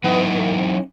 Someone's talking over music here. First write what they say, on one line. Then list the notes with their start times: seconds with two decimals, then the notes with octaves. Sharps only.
Oh, really?
0.04 F#3 D#4 E4